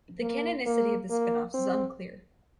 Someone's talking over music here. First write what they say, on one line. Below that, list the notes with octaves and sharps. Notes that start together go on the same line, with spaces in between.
The canonicity of the spin offs is unclear.
A#3
A#3
A#3
C4